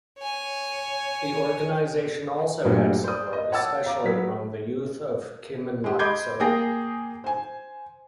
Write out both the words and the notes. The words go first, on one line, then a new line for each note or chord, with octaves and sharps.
The organization also had support especially among the youth of Kymenlaakso.
C#5 G#5
G2 A#2 F#3 G3 A3
C5 D5 D#6
D#5
C#5 F#5 A5 D6 E6 A6
F5 A#5 D6
F#3 B4 B6
G#3 G4
D#5 B5 C6 D6 G6 G#6
A#3 G#4 G5 A#6
C5 G#5